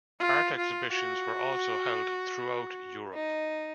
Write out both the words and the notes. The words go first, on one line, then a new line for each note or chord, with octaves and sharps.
Art exhibitions were also held throughout Europe.
F4
F4
F#4
D#4